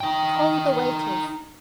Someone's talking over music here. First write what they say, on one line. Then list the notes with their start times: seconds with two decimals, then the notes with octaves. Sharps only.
Call the waiters!
0.01 D#4 G5